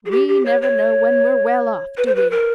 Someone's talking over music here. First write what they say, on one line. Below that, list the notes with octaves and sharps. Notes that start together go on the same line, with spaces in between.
We never know when we're well off, do we?
G#4
G4
G4
C#5
C#5
B4
C5
B4
A#4